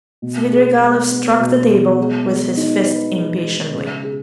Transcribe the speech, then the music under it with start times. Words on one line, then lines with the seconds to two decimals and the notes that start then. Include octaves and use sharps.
Svidrigailov struck the table with his fist impatiently.
0.22 B2
0.52 G#4
0.81 G#3
1.10 B3
1.40 B2
1.68 G#4
1.98 G#3
2.28 G#3
2.57 D#4
2.86 B4
3.14 G#3
3.44 G#3
3.74 C#3
4.03 G#4